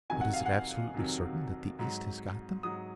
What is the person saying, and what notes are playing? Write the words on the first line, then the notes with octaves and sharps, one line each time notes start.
"But is it absolutely certain that the East has got them?"
F2 C3 D#3 F#3 G#5
F#5
F5
F#5
F2 C3 D#3 F#3
G#2 F#3
G#2 F#3 D#6